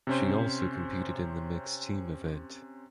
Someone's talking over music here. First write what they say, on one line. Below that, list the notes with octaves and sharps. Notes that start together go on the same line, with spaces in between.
She also competed in the mixed team event.
C3 C#4 C5